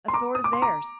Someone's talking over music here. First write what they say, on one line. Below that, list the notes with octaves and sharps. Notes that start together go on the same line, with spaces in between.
"A sword of theirs."
C6
A#5 D6
D#6
D6
C6
A#5 D6